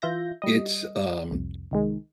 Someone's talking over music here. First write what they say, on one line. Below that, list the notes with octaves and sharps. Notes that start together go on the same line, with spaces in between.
it's, um
E3 F4 E5 G6 A#6
G3 D#5
C2 F2
C2 D#3 G#3